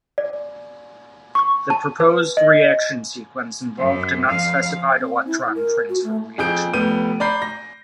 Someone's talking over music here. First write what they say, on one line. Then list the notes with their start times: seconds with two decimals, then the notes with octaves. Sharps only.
The proposed reaction sequence involved an unspecified electron transfer reaction.
0.18 D5
1.35 C#6
1.70 A5
2.00 B4
2.37 D#5
3.78 F#2
4.27 F2 F5
4.99 C4
5.27 E4
5.55 A#4
5.89 F#4
6.04 A3
6.38 F2 G#4 G6 D7
6.74 F1 B3 G6 D#7
7.20 D5 A#5 B5 G6 C7
7.42 A#6